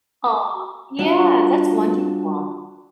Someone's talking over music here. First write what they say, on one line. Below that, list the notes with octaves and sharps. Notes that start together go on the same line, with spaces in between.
Aw, yeah, that's wonderful.
G3 D4 F4 F#4 C#5 D5